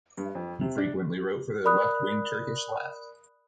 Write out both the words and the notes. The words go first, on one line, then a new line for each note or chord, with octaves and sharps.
He frequently wrote for the left-wing Turkish Left.
G2
F2
C3
D4
A#4 D5 B5 D#6 F#6